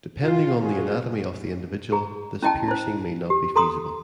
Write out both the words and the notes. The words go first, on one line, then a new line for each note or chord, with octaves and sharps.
Depending on the anatomy of the individual, this piercing may not be feasible.
F4
C#4 F4 F#4 G#4
G#4 A#5
C#4 E4 D#5 G5 A5
E4 C5
G4
A4 A#5 C6 D#6